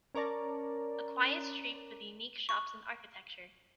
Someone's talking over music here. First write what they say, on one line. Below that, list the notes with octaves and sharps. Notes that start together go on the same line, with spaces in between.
A quiet street with unique shops and architecture.
C#4 A#4 C#5 D5 A5 A#5
C#6